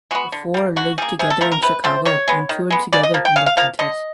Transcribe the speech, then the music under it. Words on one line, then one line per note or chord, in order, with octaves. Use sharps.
The four lived together in Chicago and toured together in their quintet.
G#3 B3 F#4
D3
G3 A#3
D3 F#4
G3 A#3 G#4
C3 G#4
A4
F3 A3 C4 A#4
A#4
C3 B4
F3 A3 C4 C5
D#3 C#5
G#3 B3
D#3
G#3 B3
C#3 D5
D#5
F3 A#3
G5
C#3 F5
F5
F3 A#3 F5
D3 D#5